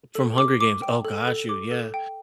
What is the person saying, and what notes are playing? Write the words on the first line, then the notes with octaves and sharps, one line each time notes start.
from Hunger Games oh, got you, yeah.
A4
D6
D6
G5
A4
A4
D6
A4
G5